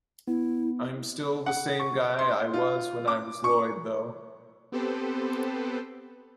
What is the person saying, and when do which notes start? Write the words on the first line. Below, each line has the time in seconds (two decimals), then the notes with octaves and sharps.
I'm still the same guy I was when I was Lloyd, though.
0.28 B3 E4
1.46 F#5
1.80 C#6
2.19 C6
2.54 F4
3.08 D6
3.44 C#6
4.72 B3 C4 G4 A4 B4 C5